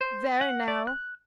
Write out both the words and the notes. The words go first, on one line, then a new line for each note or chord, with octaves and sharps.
There now!'
C5
F#5
D5
F#6